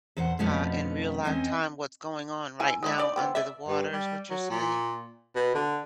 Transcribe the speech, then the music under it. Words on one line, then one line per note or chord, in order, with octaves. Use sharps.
uh, in real live time what's going on right now under the water is what you're saying?
E2 A#2 C5 F#5
F2 B2 F3 A3 B3 C#4
E2 C4 C#4 D#5 G#5
E4 G#5
G#3 D#4 E4
D4 D#4 D5
E3 B3 C4
D5 E5
G2
G3
F#3
A#2
B2
D3